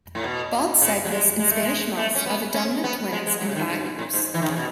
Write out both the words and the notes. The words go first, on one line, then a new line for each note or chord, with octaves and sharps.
Bald cypress and Spanish moss are the dominant plants in bayous.
A2
B2
C#3
F#3
G#3
G#3
A3
G#3
A3
C#4
B3
C#4
B3
G#3
G#3
F#3
C#3
D#3
C#3
B2
A2
G#2
E3
D#3
C#3
B2